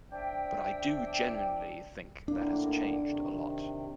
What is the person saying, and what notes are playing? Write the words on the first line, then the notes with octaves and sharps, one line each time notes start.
But I do genuinely think that has changed, a lot.
D4 C5 E5 G5
A2 D3 A#3 D4
C3 D#3